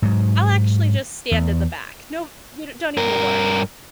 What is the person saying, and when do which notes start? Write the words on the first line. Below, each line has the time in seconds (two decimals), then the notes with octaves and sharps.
I'll actually just stand in the back. No, n don't even worry."
0.02 G#2 F#3
1.31 E2
2.97 G2 A#4